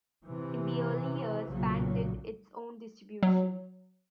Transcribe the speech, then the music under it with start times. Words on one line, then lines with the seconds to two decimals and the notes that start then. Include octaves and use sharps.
In the early years, Bang did its own distribution.
0.24 C3 E3
1.47 B1 A#2 C#3 F#3
3.23 F#3